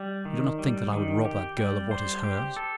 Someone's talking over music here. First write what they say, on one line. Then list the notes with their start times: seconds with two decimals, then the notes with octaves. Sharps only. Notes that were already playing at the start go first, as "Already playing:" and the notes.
You do not think that I would rob that girl of what is hers.
Already playing: G3
0.25 D#3
0.59 G3
0.92 D#3
1.25 G4
1.58 G3
1.91 C5
2.24 G4
2.57 A4